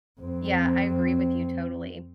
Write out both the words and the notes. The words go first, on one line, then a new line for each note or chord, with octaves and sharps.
Yeah, I agree with you totally.
F2 C4